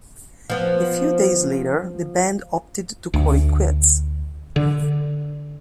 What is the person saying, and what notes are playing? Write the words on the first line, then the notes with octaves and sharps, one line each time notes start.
A few days later, the band opted to call it quits.
F3 B3
D2
D3